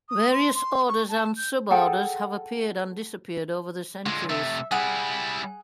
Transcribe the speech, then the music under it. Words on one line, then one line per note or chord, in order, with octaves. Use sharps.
Various orders and suborders have appeared and disappeared over the centuries.
D#6
C6
C6
C#6
A5
G6
G#4 A4 F#5 G5
D3 G#3 F4
C3 A3 E5
G3 E4 G#4 F#5 D#6